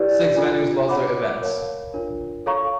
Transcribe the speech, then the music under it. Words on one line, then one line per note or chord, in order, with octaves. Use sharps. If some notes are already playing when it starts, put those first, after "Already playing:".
Six venues lost their events.
Already playing: E4 G4 B4 D5
D4 F4 A4
C#5 F#5 B5 D6
A#4 C#5 F5 A5
D4 F4 A#4 C#5
A4 C#5 F5 A#5 C#6